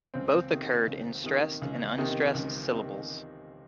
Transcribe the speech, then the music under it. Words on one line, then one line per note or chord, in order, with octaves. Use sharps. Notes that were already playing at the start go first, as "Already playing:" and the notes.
Both occurred in stressed and unstressed syllables.
C#2 C4
C3 D#3
C#2
C3 D#3
C#2
C3 D#3
C#2
C3 D#3